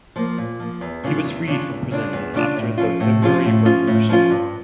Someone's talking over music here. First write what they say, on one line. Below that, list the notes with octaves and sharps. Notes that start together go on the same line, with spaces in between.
He was freed from prison after the February Revolution.
F3 A#3
A#2
F3 A#3
E2
C#3 G3 D4 F4
E2
C#3 G3 D4 F4
E2
C#3 G3 D4 F4
E2
C#3 G3 D4 F4
A2
F3 C#4 F4
A2
F3 C#4 F4
A2
F3 C#4 F4
A2
F3 C#4 F4
G2